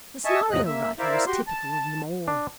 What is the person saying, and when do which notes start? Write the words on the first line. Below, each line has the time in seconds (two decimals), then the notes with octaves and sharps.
The scenario writer was typical of them all.
0.25 D#5 E5 G#5 A5 C#6
0.50 E2 A2 C3 F3 D#5 F#6
0.66 A#3 E5
0.99 E4 A#4 C5 D5 E5 F5
1.26 F#4 G4 C6
1.47 A5
2.28 D4